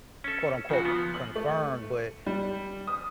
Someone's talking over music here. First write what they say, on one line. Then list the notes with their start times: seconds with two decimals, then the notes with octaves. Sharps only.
quote, unquote, "c confirmed," but
0.24 C#4 A4
0.70 C#3 F3 F#4
0.85 B3
1.14 F#7
1.35 A3
2.27 G3
2.87 D#6